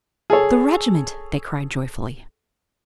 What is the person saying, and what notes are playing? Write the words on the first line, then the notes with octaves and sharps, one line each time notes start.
"The regiment!" they cried joyfully.
G#4 A4 C#5